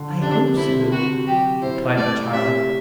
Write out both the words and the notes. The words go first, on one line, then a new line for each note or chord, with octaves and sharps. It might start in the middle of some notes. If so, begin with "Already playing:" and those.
'I hope so,' replied the child.
Already playing: D3
C3 D4
C4 E4
C3 F#4
F#3 G4
E4 C5
A3 D5
C3 E5